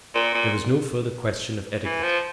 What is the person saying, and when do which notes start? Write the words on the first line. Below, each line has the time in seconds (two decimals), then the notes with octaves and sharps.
There was no further question of etiquette.
0.15 A#2
0.34 A#2
1.85 E3
2.03 F3